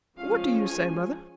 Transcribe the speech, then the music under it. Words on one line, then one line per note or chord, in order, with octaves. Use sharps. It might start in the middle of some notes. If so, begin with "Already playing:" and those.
"What do you say, mother?"
F3 G#3 C#4 F4 F5
G#5